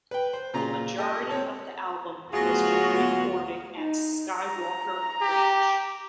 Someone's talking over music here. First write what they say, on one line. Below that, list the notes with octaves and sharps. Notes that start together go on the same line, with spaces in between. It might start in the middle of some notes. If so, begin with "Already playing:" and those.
The majority of the album was recorded at Skywalker Ranch.
B4 G5
C5
A#2 C#3 F4 A#5
G4 A4 D#5
C4 C#5 A5
D2 F#3 B3 F4 F#4 G#4
D#4
A#5
G4